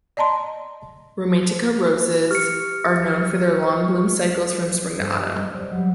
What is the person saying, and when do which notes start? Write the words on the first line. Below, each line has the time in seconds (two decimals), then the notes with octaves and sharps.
Romantica roses are known for their long bloom cycles from spring to autumn.
0.17 D5 D#5 A5 A#5 C6
2.31 G4 F6 C#7
4.98 G2 A4 B4 C5
5.18 G4 G#4
5.37 D#5
5.54 G3 C5 D5
5.71 F#3 G3